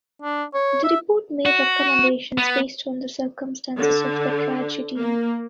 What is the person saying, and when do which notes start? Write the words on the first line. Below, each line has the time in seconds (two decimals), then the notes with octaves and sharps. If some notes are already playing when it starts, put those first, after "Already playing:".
The report made recommendations based on the circumstances of the tragedy.
0.22 D4
0.54 C#5
0.84 E5
1.46 F#4
2.38 B3
3.78 D3
4.98 A#3